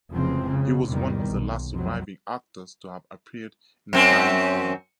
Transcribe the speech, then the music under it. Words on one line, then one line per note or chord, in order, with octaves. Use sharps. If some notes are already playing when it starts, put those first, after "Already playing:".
He was one of the last surviving actors to have appeared in silent film.
F1 C#3 E3 F3 G#3 C4
C#3
G#1 E2 C3 D#3 G3
B1
F2 C3 F#3 C4
F#2 C4 C#4